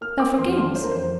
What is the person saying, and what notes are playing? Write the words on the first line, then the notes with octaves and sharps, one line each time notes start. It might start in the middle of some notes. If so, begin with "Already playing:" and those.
Now for games!
A#3 F6
A#3 D6
F2 C6
D4 C6
D3 C5
A#4
F2 C5